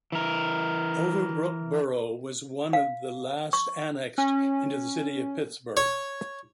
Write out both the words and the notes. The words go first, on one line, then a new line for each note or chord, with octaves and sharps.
Overbrook Borough was one of the last annexed into the City of Pittsburgh.
E3 A#4
F5
C#6
C#4
C#5